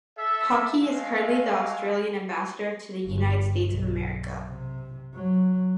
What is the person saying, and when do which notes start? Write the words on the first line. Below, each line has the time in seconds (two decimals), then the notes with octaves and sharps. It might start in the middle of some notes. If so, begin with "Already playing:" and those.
Hockey is curreny the Australian Ambassador to the United States of America.
0.16 A4 E5
0.80 G#3 A3 F5
3.04 G1
3.65 B1
4.48 C3
5.14 F#3